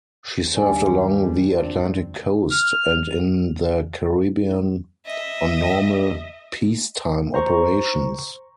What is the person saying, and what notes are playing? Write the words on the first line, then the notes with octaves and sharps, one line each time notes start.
She served along the Atlantic coast and in the Caribbean on normal peacetime operations.
D#2 G3 D4 G4 G#5
F2 C4 D4
F6
D#5 E5
C5 A#5 C#6